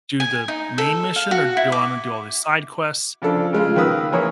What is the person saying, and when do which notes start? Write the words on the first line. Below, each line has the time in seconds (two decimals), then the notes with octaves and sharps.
do the main mission or do I wanna do all these side quests?
0.20 G#5
0.48 D#4
0.78 A4
1.16 F5
1.31 F#4
1.57 E4
1.72 D6
3.22 C#3 F3 D4 A4
3.53 C#3 G#3 F4
3.76 D#3 A#3 B4 D#6 E6
4.12 E3 A#3 C#5 D#6